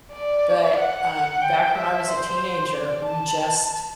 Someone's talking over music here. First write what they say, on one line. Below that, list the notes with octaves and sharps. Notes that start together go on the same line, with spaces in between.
But, um, back when I was a teenager, we just,
D5
F#5
G5
E5
C5
D5
A5